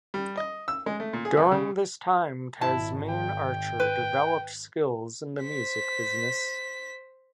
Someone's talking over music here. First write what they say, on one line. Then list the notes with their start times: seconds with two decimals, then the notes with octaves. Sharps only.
During this time, Tasmin Archer developed skills in the music business.
0.14 G3
0.37 D#5
0.68 E6
0.86 G#3
1.00 A3
1.13 A#2
1.25 G#4
1.37 C2
1.52 C#3
2.61 G#1 E4 A5
3.09 G5
3.80 B4
5.42 C5 B6